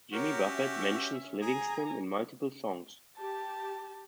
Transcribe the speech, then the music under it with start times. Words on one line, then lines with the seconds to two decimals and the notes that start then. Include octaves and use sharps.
Jimmy Buffett mentions Livingston in multiple songs.
0.12 F#4 G4 A#4 C#5
0.45 C#4 E5
1.41 G#4 G#5 A#5
3.18 G4 A5